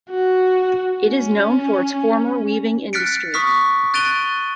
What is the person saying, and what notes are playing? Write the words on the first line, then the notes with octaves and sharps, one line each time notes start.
It is known for its former weaving industry.
F#4
C#4
F6 F#6 A6 B6 C#7 D7
C#6 D#6 F6 B6
F#6 A6 D7 D#7 F7 G7